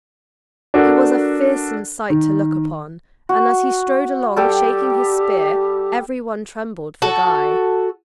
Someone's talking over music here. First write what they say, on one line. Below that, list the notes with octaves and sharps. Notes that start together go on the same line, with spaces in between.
He was a fearsome sight to look upon, and as he strode along shaking his spear every one trembled for Guy.
D4 F#4 A4 A#4
D#3
F#4
G3 G4 A4 G5
F#4 A4